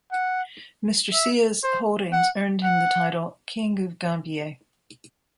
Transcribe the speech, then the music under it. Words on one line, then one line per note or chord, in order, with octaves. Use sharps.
Mr Seah's holdings earned him the title: 'King of Gambier'.
F#5
E5
C5
F#5
F#5